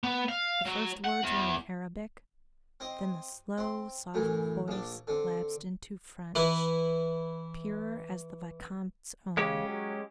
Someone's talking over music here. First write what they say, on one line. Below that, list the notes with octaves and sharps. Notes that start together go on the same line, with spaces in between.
The first words were in Arabic, then the slow, soft voice lapsed into French, pure as the Vicomte's own.
B3
F5
F#3
F#5
E2
C4 C5 D#5
C4 C6
F#2 A2 E3
A#1 D4
D3 C4
E3 E4 B4
C#3 G#3 C#4 G4
F#3